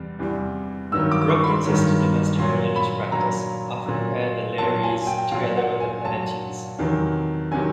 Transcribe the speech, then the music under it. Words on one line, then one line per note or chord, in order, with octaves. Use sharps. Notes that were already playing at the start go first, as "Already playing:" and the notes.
References to domestic religious practice often pair the Lares together with the Penates.
Already playing: E2 C3 G3
E2 C3 E3 G3
G2 D#3 F#3 E6
D6
D6
C#6
B5
C6
G2 D#3 F#3
A#2 F#3 C6
B5
A#2 F#3 A#5
A#2 F#3
A#2 F#3 A5
G#5
G5
A#2 F#3 F5
F#5
G#5
A#2 F#3 A5
E2 C3 D#3 F#3
C3 D#3 F#3 G#5